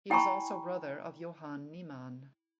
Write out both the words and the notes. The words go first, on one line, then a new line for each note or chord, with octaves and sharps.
He is also brother of Johan Niemann.
E4 G5 G#5 A#5 B5 C#6